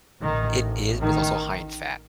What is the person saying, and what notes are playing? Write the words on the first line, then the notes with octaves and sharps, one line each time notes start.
It is, but it’s also high in fat.
A1 A2 D#3
D#3